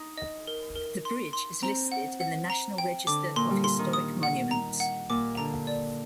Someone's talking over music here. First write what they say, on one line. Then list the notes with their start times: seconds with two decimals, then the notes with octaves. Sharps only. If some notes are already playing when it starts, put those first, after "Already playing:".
The bridge is listed in the National Register of Historic Monuments.
Already playing: D#4
0.18 D#5
0.47 A#4
0.76 A#4
1.05 C6
1.33 C6
1.62 C4 A#5
1.92 F#5
2.20 F#5
2.50 A#5
2.78 G5
3.07 D3 D6
3.36 A#2 C6
3.51 G3
3.64 C6
3.79 D#3
3.93 D#6
4.23 F#5
4.51 A#5
4.80 F#5
5.10 A#2 D6
5.37 D3 A#5
5.67 D5